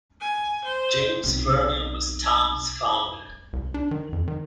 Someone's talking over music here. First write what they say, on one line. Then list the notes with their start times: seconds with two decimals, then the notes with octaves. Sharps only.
James Verner was town's founder.
0.21 G#5
0.64 C5
1.24 B1 C4
3.53 C2
3.74 D4
3.91 D#3
4.13 F2
4.28 D#3